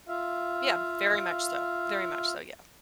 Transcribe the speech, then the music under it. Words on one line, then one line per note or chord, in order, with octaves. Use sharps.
Yeah, very much so, very much so, yeah
F4 E5 F5